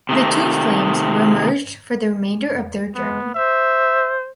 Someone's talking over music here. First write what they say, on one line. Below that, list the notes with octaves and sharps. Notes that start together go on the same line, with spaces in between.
The two flames were merged for the remainder of their journey.
C3 D#3 A3
G#3 B3
C5 E5